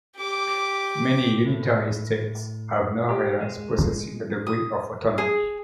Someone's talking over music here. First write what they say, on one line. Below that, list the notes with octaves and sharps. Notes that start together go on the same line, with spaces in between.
Many unitary states have no areas possessing a degree of autonomy.
G4 D6
A2
G4
G#3
D#6
G#4